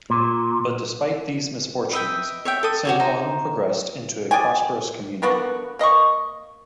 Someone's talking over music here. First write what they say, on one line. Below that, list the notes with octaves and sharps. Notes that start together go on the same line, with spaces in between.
But despite these misfortunes, San Juan progressed into a prosperous community.
A#2
B4 D#5 E5 G5
C#5 E5 G5
A4 D#6
F#4 G4 C#5
D#4 C5 A#5
D5 D#5 G5 G#5
D3 A#3 B3 F#4
A#3 D#5 B5 C#6